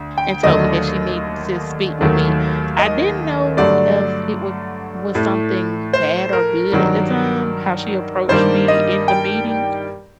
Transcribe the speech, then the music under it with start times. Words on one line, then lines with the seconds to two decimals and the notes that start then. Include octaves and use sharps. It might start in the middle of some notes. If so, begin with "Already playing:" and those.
and told me that she needed to speak with me. I didn't know if it would was something bad or good at the time, how she approached me in the meeting,
Already playing: D2
0.18 G5
0.43 D#2 D3 F#3 A3 D#5
2.01 D#2 D#3 F#3 A3
2.79 D#5
3.57 G2 D3 F#3 A3 D5
5.15 A2 A3
5.93 C5
6.33 A#4
6.72 G2 D#3 F#3
8.29 G2 D#3 G3 A#3 C5
8.68 D#5
9.08 G5